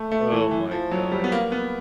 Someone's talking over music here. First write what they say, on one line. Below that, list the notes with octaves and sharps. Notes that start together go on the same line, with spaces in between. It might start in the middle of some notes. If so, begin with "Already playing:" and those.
Oh my god.
Already playing: A3
A3
E3
E3
F3
F#3
G3
B3
A#3
B3